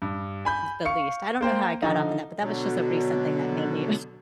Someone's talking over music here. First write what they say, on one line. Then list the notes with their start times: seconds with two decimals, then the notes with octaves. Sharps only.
the least. I don't know how I got off on that, but that was just a recent thing that made me
0.02 G2
0.45 G#5 B5 G6
0.85 F5 C#6 C#7
1.41 A#3 C5 G5
1.82 D3 F3 D#4
2.41 B2 D3 F#3